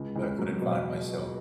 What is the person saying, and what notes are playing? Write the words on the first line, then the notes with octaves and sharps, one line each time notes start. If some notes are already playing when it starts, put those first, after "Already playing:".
uh, couldn't find myself
Already playing: C#2
C#2
F#3
B2